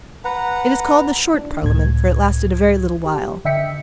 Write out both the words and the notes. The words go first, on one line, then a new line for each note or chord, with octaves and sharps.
It is called the Short Parliament, for it lasted a very little while.
B4 F#5 A#5
D4
C#2 A2 G#6
G4
D3 D#5 E5 G5 B6 C#7